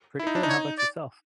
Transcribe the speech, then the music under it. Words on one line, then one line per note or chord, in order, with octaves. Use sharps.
Pretty good, how ‘bout yourself?
E4
D#4
D4
D#4
C#5
D5